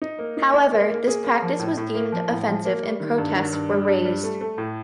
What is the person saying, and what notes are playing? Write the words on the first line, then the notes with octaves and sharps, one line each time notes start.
However, this practice was deemed offensive and protests were raised.
D#4
A#3
D#4
D#4
A#3
A#3
G#4
A#3
F3
A2
A2
A#3
F3
A2
F3
A#3
G3
D#3
G2
D#3
G2
G3
G2
G3
A3
A3
A2